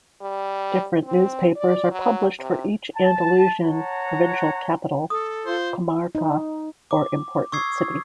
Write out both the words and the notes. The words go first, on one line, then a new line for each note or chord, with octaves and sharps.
Different newspapers are published for each Andalusian provincial capital, comarca, or important city.
G3
C4
D5
F#3
C3
A5
C#5 F#5 A5 A#5
A4 D#6
F4 C5
D#4
D6
C#6 D#6 E6 G#6 C7